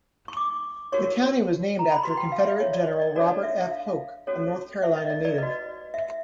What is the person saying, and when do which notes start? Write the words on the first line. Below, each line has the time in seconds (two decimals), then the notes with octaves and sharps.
The county was named after Confederate General Robert F. Hoke, a North Carolina native.
0.28 C#6
0.37 D6
0.92 F#4 A#4 C#5 C#6
1.79 A#5
1.92 B5
2.03 F#4 B4 C6
2.17 G5
2.32 F5
2.45 E5
2.60 C#5
2.73 D5
2.87 D#5
3.02 D5
3.15 D4 F#4 A4 C#5 D5
3.43 E5
3.71 F5
4.27 C#4 F#4 A4 C#5
4.83 E5
4.96 D#5
5.10 D5
5.25 D5
5.38 F#4 B4 D#5
5.94 E5